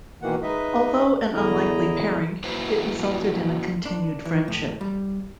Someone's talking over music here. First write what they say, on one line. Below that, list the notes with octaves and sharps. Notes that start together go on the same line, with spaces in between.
Although an unlikely pairing, it resulted in a continued friendship.
B2 D#3 E3 A#3 F#5
G#3 D#4 B4 D#5 E5
E2 D3 E4 D#5 A#5
F#3 A#3 E4 B4 C5
D4
E3
A2
G3